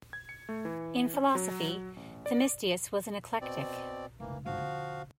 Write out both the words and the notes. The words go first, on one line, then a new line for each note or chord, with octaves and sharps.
In philosophy Themistius was an eclectic.
G#6
C#7
A3
E3
C#4
F#3
F#3
A1
D5
B2 C4 D5
F1 C#2 E3 A#3
G1 E3 F3 F#4 F5
D3 C4